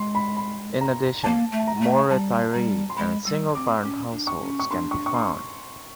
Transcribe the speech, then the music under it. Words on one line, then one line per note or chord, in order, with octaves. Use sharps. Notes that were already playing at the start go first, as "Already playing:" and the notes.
In addition, more retiree and single parent households can be found.
Already playing: G#3 C6
B5
B5
A#5
A#3 A5
A3
A5
A#5
A3
G3 A5
G3 A#5
C6
G#3 B5
G3 E6
C4 D6
C#4 D6
D4
C#6
C#4
C#6
D4 C6
C#6
C#6
C6